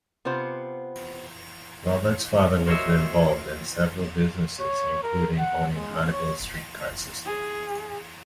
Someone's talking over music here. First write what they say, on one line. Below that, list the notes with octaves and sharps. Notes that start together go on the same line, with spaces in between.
Roberts father was involved in several businesses, including owning Hannibal's streetcar system.
C3 B3 F4 C5 F#5
F#4 A#4 C5 C#5 D#5 E5
C#5
A#4
F#5
G#3
C#5
G#4